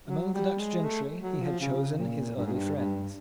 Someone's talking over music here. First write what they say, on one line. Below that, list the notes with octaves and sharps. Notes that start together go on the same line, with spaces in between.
Among the Dutch gentry he had chosen his early friends.
F#3
G3
G#3
A3
F#3
F3
C#3
A#2
G2
G#2
G2
G2